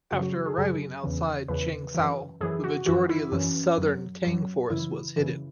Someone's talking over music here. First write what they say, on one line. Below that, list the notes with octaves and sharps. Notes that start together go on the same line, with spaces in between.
After arriving outside Changzhou the majority of the Southern Tang force was hidden.
F#2 C#3 F#3 F#4
F#4
G#4
F#2 C#3 F#3 G#4
E2 C#3 E3
E2 C#3 E3 B4
F#2 E3
F#2 E3 G#4
F#4
F#2 E3 F#4
E4
F#2 E3 C#4
F#2 F#3
F#2 F#3
F#2 C#3 E3 E4
F#2 C#3 E3